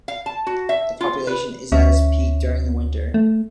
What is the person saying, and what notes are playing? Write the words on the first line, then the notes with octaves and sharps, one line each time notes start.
The population is at its peak during the winter.
F5
A5
F#4
E5
F4
B4
D2 C#4 E5
A3